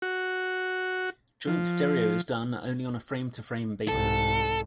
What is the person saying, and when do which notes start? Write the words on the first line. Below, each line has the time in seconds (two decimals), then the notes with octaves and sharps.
Joint stereo is done only on a frame-to-frame basis.
0.02 F#4
1.47 F3
3.88 C2 G#2 A4